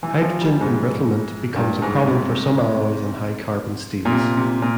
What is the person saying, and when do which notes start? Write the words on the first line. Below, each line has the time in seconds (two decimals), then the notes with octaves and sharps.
Hydrogen embrittlement becomes a problem for some alloys and high-carbon steels.
0.03 E3
0.21 F3
0.41 G3
0.61 G#2
1.56 G2
1.82 G#2
2.07 C3
4.05 A#2
4.12 C3
4.37 C3
4.62 A#2